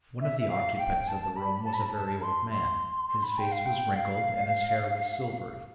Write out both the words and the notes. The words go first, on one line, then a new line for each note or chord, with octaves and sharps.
One of the occupants of the room was a very old man; his face was wrinkled, and his hair was silvery.
E5
E5
F5
G5
A5
B5
A5
B5
A5
A5
C6
C6
C6
B5
G5
F5
G5
F5